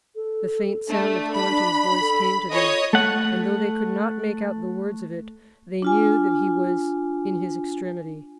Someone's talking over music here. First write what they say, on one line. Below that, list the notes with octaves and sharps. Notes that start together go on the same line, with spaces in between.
The faint sound of Thornton's voice came to them, and though they could not make out the words of it, they knew that he was in his extremity.
A4
A3 D4
B5
A4
F4 C#5 D#5 D#6
A3 F#5
D4 F4 G#5